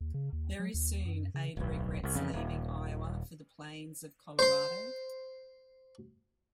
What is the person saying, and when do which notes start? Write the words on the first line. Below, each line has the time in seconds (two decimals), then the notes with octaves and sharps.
Very soon Ada regrets leaving Iowa for the plains of Colorado.
0.01 D#2
0.14 C#3
0.33 D#2
0.60 F#3
0.74 D#2
1.05 F#2
1.34 C#3
1.57 D1 B1
2.03 C2
2.16 F2 C#3
2.34 D#1
4.39 C5 C6